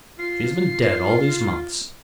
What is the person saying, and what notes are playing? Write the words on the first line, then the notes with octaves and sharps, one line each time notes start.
She has been dead all these months.
F4 C7